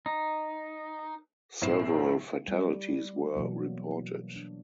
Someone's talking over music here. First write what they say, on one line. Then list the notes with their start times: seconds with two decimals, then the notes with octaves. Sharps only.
Several fatalities were reported.
0.06 D#4
1.62 B1 F#2 A2 C4 C7 E7
2.48 G3
3.36 B2 E3 F#3 A#3
4.36 D4